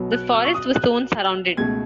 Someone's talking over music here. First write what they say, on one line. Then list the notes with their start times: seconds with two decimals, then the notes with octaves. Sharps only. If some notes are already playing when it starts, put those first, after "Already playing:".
The forest was soon surrounded.
Already playing: B1 B2 F#3 B3
0.12 F#6
0.32 E6
0.45 C#6
0.54 D#6
0.75 F#6
1.57 C#2 B2 A3 G#6